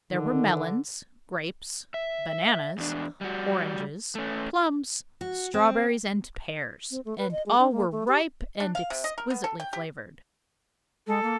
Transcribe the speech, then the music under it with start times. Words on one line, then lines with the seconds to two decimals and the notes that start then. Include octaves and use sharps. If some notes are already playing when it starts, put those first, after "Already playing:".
There were melons, grapes, bananas, oranges, plums, strawberries, and pears and all were ripe and exquisitely flavored.
0.11 D3 D#3
1.94 E5
2.78 E2 D4
3.21 G3 F#4
4.15 A3 C#4
5.21 F#4
5.54 C4
6.91 C4
7.05 A3
7.18 B4
7.31 D#5
7.46 G#3
7.59 D4
7.72 A#3
7.92 A3
8.08 G4
8.60 D4
8.75 F5
8.90 C3
9.04 D#5
9.18 A#4
9.30 B3
9.44 A4
9.60 G5
9.73 G4
11.07 G#3 A4
11.23 A#3